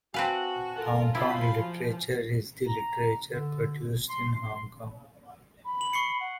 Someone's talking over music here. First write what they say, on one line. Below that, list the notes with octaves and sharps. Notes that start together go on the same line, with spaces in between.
Hong Kong literature is the literature produced in Hong Kong.
C4 F#4 B4 F5 G#5 A5
F4 A4 A#4
F#3 E4 F4 C5 B5
F3
A#5
D3
C6
C6
B5
F#7
C#6 C7 C#7
F#5